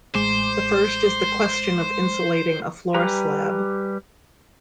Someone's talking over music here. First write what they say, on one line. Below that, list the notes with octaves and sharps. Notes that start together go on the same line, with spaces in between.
The first is the question of insulating a floor slab.
A1 G#3 C5 D6
G3 G4 B4 G#5 A#5